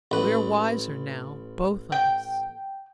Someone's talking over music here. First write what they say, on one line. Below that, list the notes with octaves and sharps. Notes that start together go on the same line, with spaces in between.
We are wiser now both of us.
A1 B4
G5